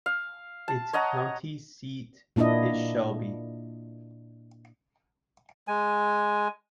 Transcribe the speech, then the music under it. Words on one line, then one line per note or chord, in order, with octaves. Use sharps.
Its county seat is Shelby.
F5
A5
C#5 D#5 F#5 A#5
A#2 A#3 D4 E4 D#5
G#3 G#5